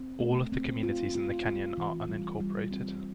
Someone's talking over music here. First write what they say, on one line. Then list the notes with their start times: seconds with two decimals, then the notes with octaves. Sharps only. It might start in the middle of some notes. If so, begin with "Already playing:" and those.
All of the communities in the canyon are unincorporated.
Already playing: C4
0.20 A3
0.52 C4
0.83 F4
1.15 F4
1.46 F4
1.78 E3
2.08 G3
2.40 G3
2.71 C4